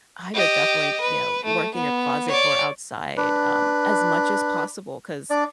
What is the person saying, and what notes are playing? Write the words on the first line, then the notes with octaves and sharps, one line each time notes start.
I would definitely, you know, work in your closet or outside, um, as much as possible, 'cause
G4 D#5
B4
A3
B3
C#5 D5
D4 B4
D4 D5